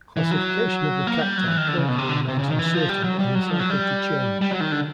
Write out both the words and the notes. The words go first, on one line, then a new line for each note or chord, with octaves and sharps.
Classification of the cacti currently remains uncertain and is likely to change.
E3
F#3
A#3
G3
F#3
E3
D#3
D3
C#3
B2
C3
D3
C3
C#3
D#3
E3
F3
G3
F#3
G3
F#3
F3
F#3
G3
G3
F#3
D#3
D3